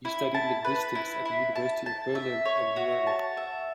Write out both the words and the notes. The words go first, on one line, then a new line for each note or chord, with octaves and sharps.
He studied linguistics at the universities of Berlin and Vienna.
E4
A5
B4
E4
E4
A5
A5
E5
C#5
F#4
A5
E5